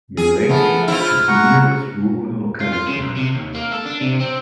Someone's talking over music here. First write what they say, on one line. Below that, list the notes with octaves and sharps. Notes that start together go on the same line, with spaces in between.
Melenki is the nearest rural locality.
G#4
F3 A3 B3 A4
E4 F4 C5
F#5 A#5 C#6
F4
F4
C#3
B1
C3
D#2
A#3
A4
D4
C3
C4